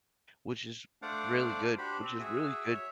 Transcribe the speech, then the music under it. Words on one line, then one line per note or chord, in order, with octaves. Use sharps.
which is really good which is really good
A3 D4 C5 D5 F5 F#5
D4 F#4 G4 C5 B5
C4
F#4 G#4 E5
C#5 E5